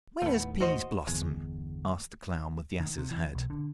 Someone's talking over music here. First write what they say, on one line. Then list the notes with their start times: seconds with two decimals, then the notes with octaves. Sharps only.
"Where's Peaseblossom?" asked the clown with the ass's head.
0.22 D#2 A2 A3 B3
0.60 F#4 C5 D#5
1.07 G1 E2 G#3
2.80 D#3
2.98 C3
3.11 E3
3.35 B1
3.50 D3